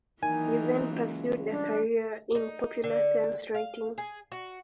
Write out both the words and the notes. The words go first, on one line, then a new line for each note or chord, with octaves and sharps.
He then pursued a career in popular science writing.
D#3 E3 F#3 A#3 D#4 G#5
C#2
G3 D4
D#4
D3
F5
G#4
F#4